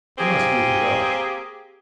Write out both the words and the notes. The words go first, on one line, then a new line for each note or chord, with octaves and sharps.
I must look it up.
A#3 C4 G4 G#4